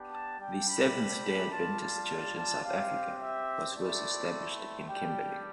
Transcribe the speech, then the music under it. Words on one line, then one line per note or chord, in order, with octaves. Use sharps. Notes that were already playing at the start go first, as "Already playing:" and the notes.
The Seventh-day Adventist Church in South Africa was first established in Kimberley.
Already playing: B3 D4 G4
A5
G3 D4 G4 G5
B5
B5
G3 D4 F4 A5
A5
A5
A5
C4 G4 F5
E5
A3 C4 E4 D5
G3 D4 G4 G5